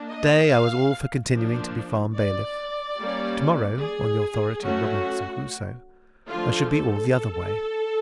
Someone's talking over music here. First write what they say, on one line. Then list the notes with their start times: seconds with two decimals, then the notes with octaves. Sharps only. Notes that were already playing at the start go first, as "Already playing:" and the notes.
To-day I was all for continuing to be farm-bailiff; to-morrow, on the authority of ROBINSON CRUSOE, I should be all the other way.
Already playing: A#3 D4
0.09 D#5
0.50 F5
1.32 F3 A#3 D4
2.15 D5
2.98 G3 A#3 C#4
3.81 G#4
4.63 F#3 A3 C#4 F#4
6.28 D3 F3 A3 F4
6.70 A4